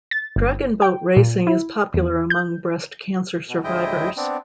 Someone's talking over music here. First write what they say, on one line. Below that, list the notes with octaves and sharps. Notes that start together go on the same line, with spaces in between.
Dragon boat racing is popular among breast cancer survivors.
A6
G1
G5
A#2
E4
E2
G6
B2
D2 A2 G#3 E4 D#5 G5
B3 C4 D4